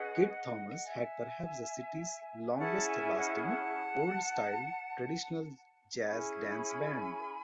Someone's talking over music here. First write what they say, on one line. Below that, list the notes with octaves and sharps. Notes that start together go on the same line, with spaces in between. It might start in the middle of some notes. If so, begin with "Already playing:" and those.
Kid Thomas had perhaps the city's longest lasting old-style traditional jazz dance band.
Already playing: C#4 G#4 B4 D#5 F#5
E5 G#5
C#4 E4 G#4 F#5 A5
E5 G#5
D#5 F#5
F#5 A5
C#4 E4 G#4 G#5 B5